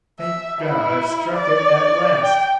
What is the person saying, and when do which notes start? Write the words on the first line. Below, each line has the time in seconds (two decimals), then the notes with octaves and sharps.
"Thank God, I've struck it at last!"
0.20 E5
0.61 E4
1.35 D5
2.24 G5